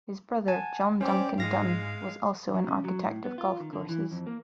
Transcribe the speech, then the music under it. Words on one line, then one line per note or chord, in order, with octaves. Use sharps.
His brother John Duncan Dunn was also an architect of golf courses.
F#5 G#5 A5
C#4 G4 C5 D5
G#2 G#3 F5 A#6
F#3
C#3
F#3
A2
B3
F4
D#3
D3
E3
F2
A#3